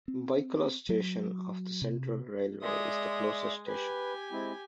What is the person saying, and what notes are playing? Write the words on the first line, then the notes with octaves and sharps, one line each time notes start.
Byculla station of the Central Railway is the closest station.
C4
F#3
C3
G#3 D5 E5 D#6
G4 B4 G#5
G#3 C4 E4